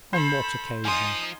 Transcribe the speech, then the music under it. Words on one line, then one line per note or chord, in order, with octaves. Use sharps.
"On what occasion?"
A4 C5 B5
F3 D#4 F4 G#5 C6 D#6